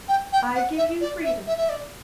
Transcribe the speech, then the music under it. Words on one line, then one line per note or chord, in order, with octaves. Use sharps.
I give you freedom.
G5
G5
F#5
E5
D5
E5
E5
E5
D5